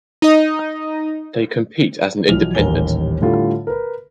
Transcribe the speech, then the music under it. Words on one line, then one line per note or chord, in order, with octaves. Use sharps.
They compete as an independent.
D#4 D#5
B1 E3 F3 F6 F7
D#1 A1 D#2 A#4 G#5 G7
A2 D3 G3 E4 F4
A#4 B4